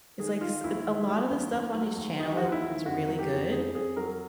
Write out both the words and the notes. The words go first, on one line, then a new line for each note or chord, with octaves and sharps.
it's like s a a lot of the stuff on his channel is really good,
D#3 G#4
D#3 F4
D#2 E4
D#3
F#3
D#2
D#2
F#3
D#2
F#3 D#4
G4
F#4
D#2 F4
E4
D#3
F2 F#4
F#3
G4
F2
F2 G#4
F2 G#4
F#3 A#4